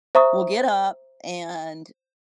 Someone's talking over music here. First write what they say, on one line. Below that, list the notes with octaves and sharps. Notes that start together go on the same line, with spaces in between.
will get up and
C5 E5 A#5 C#6 D#6